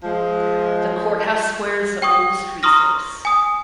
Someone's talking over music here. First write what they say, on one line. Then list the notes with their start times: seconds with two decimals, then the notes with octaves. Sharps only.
The courthouse square is the oldest resource.
0.04 F3 G#3
2.02 G5 C#6 D#6
2.63 A#5 C6 C#6 D#6 F6 A#6
3.25 G#5 D#6